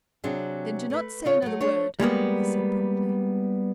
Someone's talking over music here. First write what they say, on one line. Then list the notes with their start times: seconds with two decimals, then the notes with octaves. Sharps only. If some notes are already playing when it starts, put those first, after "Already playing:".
"Then do not say another word," he said, promptly.
0.24 C3 F#3 C4 D4 G#4
0.90 A3 B4
1.25 C#3 F4 C#5
1.42 F#3 A3
1.61 A3 D4 C#5
2.00 G3 G#3 A#3 B3